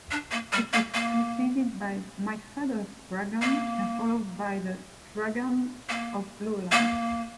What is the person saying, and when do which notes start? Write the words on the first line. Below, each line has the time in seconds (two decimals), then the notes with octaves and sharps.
It is preceded by "My Father's Dragon" and followed by "The Dragons of Blueland".
0.11 D4
0.32 A#3
0.53 G3
0.73 A#3
0.94 A#3
3.41 A#3
5.89 A#3
6.72 A#3